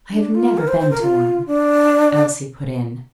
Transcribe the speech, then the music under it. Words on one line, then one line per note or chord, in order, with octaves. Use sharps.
'I have never been to one,' Elsie put in.
D4
F4
A#4
C5
C5
A#4
F4
D4